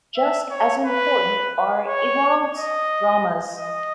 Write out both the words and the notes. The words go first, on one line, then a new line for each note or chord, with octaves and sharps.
Just as important are Ewald's "dramas".
E5
C#5
B4
C#5
D#5
D#5